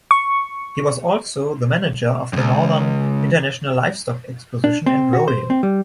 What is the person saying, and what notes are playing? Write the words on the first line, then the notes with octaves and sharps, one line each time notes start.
He was also the manager of the Northern International Livestock Exposition and Rodeo.
C#6
C#2 F#2
D4
C4
F#4
C5
C4
G3